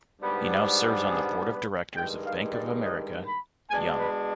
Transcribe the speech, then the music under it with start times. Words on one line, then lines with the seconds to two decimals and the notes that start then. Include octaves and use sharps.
He now serves on the Board of Directors of Bank of America, Yum!
0.21 G#2 G3 B3 D4 B4
1.08 G#4
1.52 B4
1.95 G2 D#3 G#3 G5
2.25 F5
2.53 D5
2.82 D#5
3.26 B5
3.69 B2 G#3 D4 G#5
3.98 B4